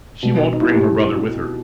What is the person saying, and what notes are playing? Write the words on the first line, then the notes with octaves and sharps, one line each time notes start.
"She won't bring her brother with her."
B2 G3
D#4
E4
G4